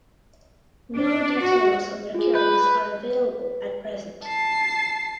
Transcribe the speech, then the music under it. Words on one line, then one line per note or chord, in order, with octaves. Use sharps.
No details on their killings are available at present.
D4
F#4
F4 G#4
B4 G6
B4
A5 C7